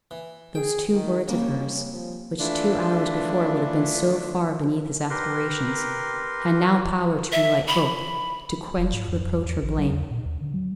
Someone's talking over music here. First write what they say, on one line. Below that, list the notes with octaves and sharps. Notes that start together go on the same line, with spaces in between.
Those two words of hers, which two hours before would have been so far beneath his aspirations, had now power to re-light hope, to quench reproach or blame.
E3
G#4 G5
D#3
C2 A#3 C#4
F3
E3 A3 D4 F4
G4 A#4 B4 C6
E5
B5
E1
G#2
F2
F2
E2
A1
F#3
E2
A#2
D#2
D3
F#3